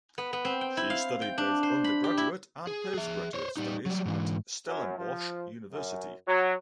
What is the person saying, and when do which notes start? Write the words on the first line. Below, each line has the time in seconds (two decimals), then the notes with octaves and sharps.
She studied both undergraduate and postgraduate studies at Stellenbosch University.
0.18 B3
0.33 B3
0.45 C4
0.61 G5
0.77 E4
0.90 F5
1.22 G5
1.38 D4
1.63 C5
1.84 B5
2.04 G4
2.18 E4
2.67 G#4
2.94 G#4 E5
3.34 C5 C#5
3.57 G3 D#4
3.86 F#3 G3
4.06 G#2 E3
4.67 F#2
4.97 F3
5.72 F#2
6.27 F#3